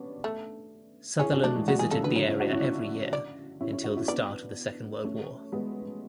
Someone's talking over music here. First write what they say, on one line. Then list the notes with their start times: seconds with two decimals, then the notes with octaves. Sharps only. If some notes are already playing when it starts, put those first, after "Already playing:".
Sutherland visited the area every year, until the start of the Second World War.
Already playing: B3 C#4 D4
0.24 A3
1.19 C#4 E4 G#4
1.32 D4 F#4
1.44 F#3 A3 D4
1.56 E3 G#3
1.67 F#3 A3 F#4
1.79 E3 G#3 G#4
1.91 C#3 A4
2.04 D3 B4
2.16 D3 F#3 C#5
2.28 C#4 E4
2.40 D4 F#4
2.52 C#4 E4
2.64 C#4 E4
3.13 D5
3.61 C#4 E4
3.72 C#4 E4
3.84 D4 F#4
3.96 C#4 E4
4.08 B3 D4 D5
5.04 A3 C#4
5.52 G#3 B3